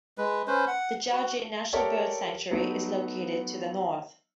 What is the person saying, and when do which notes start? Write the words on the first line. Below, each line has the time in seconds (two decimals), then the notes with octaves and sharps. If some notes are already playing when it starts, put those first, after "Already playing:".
The Djoudj National Bird Sanctuary is located to the north.
0.18 G#3 B4
0.47 C#4 B4 C5
0.67 F#5
1.12 F#4
1.73 G4 A4 A#4 C#5 D5 E5
2.51 F#3 A3 B3 D#4